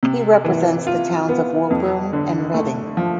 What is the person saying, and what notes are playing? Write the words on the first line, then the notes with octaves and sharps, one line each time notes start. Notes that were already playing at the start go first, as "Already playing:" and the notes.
He represents the towns of Woburn and Reading.
C3
E3
F4
B3
F2
D3
A3
F3